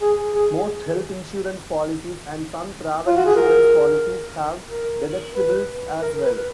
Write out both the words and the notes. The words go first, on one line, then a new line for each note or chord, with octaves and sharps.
Most health insurance policies and some travel insurance policies have deductibles as well.
G#4
G#4
F4
F#4
G#4
A#4
A#4
B4
A#4
B4